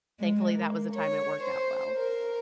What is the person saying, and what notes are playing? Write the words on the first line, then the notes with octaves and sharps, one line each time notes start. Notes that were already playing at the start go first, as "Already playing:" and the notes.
thankfully, that was the time it worked out well.
G#3
A#3
C#5
C5
A#4